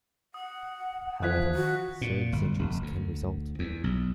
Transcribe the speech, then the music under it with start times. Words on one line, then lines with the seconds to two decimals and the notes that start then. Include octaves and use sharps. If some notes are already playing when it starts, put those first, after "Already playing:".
However, serious injuries can result.
0.34 F#5 D#6
1.23 E3 F3 F5 F#6 G#6 B6
1.55 D#3 F#4
2.01 A#2
2.32 G1
2.59 F1
2.82 D2
3.59 E2
3.84 B1